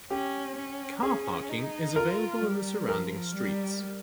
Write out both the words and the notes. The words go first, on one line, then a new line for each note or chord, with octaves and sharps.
Car parking is available in the surrounding streets.
C#4 G4
C#4
C#4 G#4
D#4
F4 A#4
G3
F3 A#4
G3